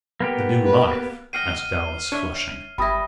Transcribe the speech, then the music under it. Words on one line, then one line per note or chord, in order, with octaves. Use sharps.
"The new life?" asked Alice, flushing.
A#3 B3 G4
B4
D#5 F#5 G5 F6 C7 D#7
D4 C#5 E5
G#1 G3 E4 B5 D#6 A#6